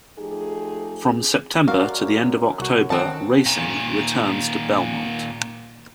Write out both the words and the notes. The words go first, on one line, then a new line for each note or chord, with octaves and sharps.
From September to the end of October racing returns to Belmont.
F3 A3 D#4 G4 G#4
F#2 F#4 A#4 D5 F5
C2 F#4
D#3 C4 C#4 F#5 A5 F#6
A#2 D#3